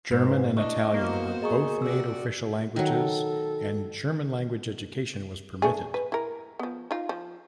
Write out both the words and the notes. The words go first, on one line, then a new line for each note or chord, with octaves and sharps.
German and Italian were both made official languages, and German-language education was permitted.
G#2 B4 C5
D4 E4 D#5 C#6
A#3 B3 F#4 C5
G#4 D#5 A#5 C#6
C3 F#4 D5 E6
D#3 F#3 A4
A3 D4 G#4
B4
E4 A#4
F3 B3
D#4 F4
F3